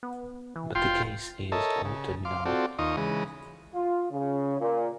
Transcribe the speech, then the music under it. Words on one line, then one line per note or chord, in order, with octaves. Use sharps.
But the case is altered now.
B3
E3
F1 F4 G5 C6
A4 A#4 C#5 D#5 E5 A5
C#3
F5 C6 D6
C4 F4 F#4 A4 D5
D#2 D#4 F4 C#6 D#6
C#3 E3 G#3 D#6
F4
C#3
A#2